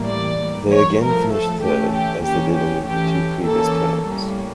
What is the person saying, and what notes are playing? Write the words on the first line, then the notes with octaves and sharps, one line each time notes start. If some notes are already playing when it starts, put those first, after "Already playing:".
They again finished third, as they did in the two previous tournaments.
Already playing: A2 E3 G3 A#3
D5
E3 G3 A#3
C#5
A2 F3 A3 A#4
A4
E3 A3 C#4 G4
G4
E3 A#3 C#4 G4
G4
E3 A3 C#4 G4
E3 A#3 C#4 A4
A2 G3 A#3 C#4